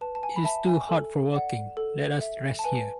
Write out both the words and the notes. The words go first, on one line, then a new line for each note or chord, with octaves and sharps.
It is too hot for walking, let us rest here.
B4 A5
A5
G#5
B5
E5 A5
G#5
A4
D5 F#5
A4
E5
A5
B4 G#5